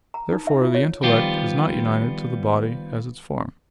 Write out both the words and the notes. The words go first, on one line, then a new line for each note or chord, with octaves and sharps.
Therefore the intellect is not united to the body as its form.
A#5
D#4
E5
F4
C#5
D#3 F3 G3 B3 F4 G4